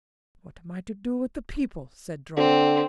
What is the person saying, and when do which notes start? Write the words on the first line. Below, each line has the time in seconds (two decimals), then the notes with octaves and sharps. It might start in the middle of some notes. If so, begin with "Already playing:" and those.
"What am I to do with the people?" said Dron.
2.37 D3 C4